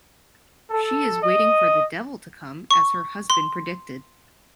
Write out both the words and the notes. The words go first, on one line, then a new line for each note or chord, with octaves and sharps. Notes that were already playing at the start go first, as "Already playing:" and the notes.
She is waiting for the devil to come, as her husband predicted.
A4
D#5
C#6
C6